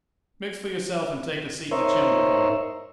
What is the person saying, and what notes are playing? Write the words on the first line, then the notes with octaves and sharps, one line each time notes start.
Mix for yourself and take a seat in the chimbley-corner.
D#4 A#4 C5 C#5 E5